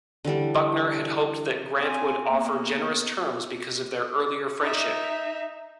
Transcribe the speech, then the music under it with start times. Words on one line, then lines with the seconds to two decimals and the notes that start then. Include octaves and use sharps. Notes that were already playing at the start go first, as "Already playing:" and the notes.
Buckner had hoped that Grant would offer generous terms because of their earlier friendship.
0.25 D3 E3 G3 D4
1.80 C4 G#5
2.28 A#3 B3
4.60 D#4 E5